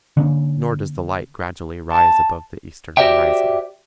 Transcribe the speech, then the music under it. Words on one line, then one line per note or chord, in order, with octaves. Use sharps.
Nor does the light gradually rise above the eastern horizon.
D3 A#3 C#4
A5
F#4 G4 C5 D5 E5 G5